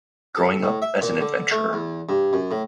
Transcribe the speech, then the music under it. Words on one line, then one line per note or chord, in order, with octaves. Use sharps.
Growing up as an adventurer.
A4
A2
E5
A#2
D3
A3
E2
G2
F#2
A2